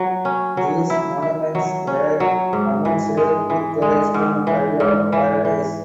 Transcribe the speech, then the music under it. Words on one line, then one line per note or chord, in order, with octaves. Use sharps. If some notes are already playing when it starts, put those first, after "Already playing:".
These monuments were commensurate with the Islamic idea of paradise.
Already playing: F#3
C#4
F#3
E4
E4
F#3
C#4
F#3
G#2
E3
G#3
E3
G#3
G#2
E3
G#2
E3
E3